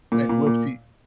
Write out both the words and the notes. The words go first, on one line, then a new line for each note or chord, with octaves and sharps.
and will she m
A#2
A#2
A#2